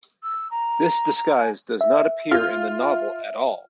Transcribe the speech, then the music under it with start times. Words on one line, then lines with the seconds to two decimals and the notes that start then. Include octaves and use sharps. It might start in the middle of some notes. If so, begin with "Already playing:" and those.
This disguise does not appear in the novel at all.
0.23 E6
0.50 A#5
1.15 A#5
1.36 G#5
1.81 E5
2.31 F4 F6